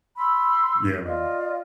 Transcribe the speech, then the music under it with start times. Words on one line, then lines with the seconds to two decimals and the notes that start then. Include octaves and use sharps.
Yeah, man.
0.16 B5 C6 E6
1.04 F4 D5 D#5